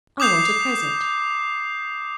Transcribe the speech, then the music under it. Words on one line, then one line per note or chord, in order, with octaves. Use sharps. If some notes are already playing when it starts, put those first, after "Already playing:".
I want a present.'
D6 D#6 G6 C7 F7